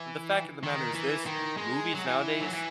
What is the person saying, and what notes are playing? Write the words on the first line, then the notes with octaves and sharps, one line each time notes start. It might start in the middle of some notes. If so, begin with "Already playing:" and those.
but the fact of the matter is this, movies nowadays,
Already playing: E3
D#3
E3
D#3
G#3
F#3
E3
F#3
E3